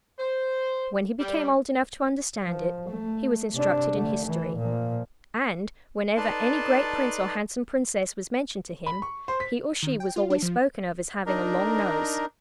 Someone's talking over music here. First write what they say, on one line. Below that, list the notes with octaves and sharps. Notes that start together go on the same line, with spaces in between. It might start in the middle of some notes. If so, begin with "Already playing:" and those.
When he became old enough to understand it, he was instructed in history; and, whenever any great prince or handsome princess was mentioned to him, he or she was always spoken of as having a long nose.
C5
G3
F3
A3
C3 D4
D3 A3
E3
A#2 F3
D#4 A4 B4 D5 A5 C6
B5
C#6
C5
B6
D#3
G5
F4
D4
F3
D4 D#4 A#4